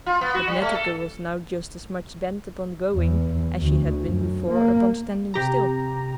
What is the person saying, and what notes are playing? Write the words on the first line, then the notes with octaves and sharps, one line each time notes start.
But Netteke was now just as much bent upon going as she had been before upon standing still.
F4
B3
F#4
G3
A3
A4
E2
D2
F#2
A#3
C3 G4 A#5